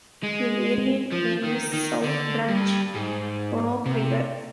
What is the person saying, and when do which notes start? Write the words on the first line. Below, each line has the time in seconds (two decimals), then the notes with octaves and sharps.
A variant name is "South Branch Roanoke River".
0.23 G#3
1.12 F3
1.44 D#3
1.73 D#3
2.04 D3
2.49 G2
2.95 G#2
3.86 C3